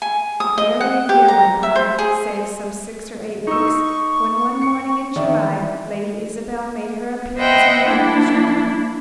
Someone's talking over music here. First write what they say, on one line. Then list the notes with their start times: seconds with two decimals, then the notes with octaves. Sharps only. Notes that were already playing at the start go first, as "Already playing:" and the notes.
Nearly a year went by, save some six or eight weeks, when, one morning in July, Lady Isabel made her appearance in the breakfast-room.
0.02 G#5
0.40 D#6
0.58 D#5
0.81 F#5
1.09 G4
1.28 A#5
1.63 E5
1.76 C5
1.99 G#4
3.47 D#4 C#6 E6
4.61 C#7
5.16 D#3 D5 E5
5.40 E3
7.38 C5 D#5 E5 F#5 G5 B5
7.88 A#3 D4 E4